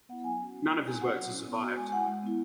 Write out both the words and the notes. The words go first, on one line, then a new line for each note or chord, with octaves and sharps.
None of his works have survived.
B3 E4 F#5
F#3 G#5
C#4 F#4
B3
E4
B3 G#5
F#4 F#5
F#3
C#4 E4
B3
F#4
G#3 G#5
G#5
E4 F#5
G#3
B3 E4